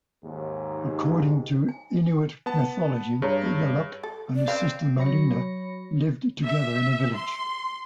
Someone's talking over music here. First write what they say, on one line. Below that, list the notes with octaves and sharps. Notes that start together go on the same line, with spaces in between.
According to Inuit mythology, Igaluk and his sister Malina lived together in a village.
D#2 G#2
G#5
B3 A5
G2 G#4 C#5 A#5
A4
D5
C4 C#4 B4 F5
F#3 C#5 B5 A#6 C#7
E5
C6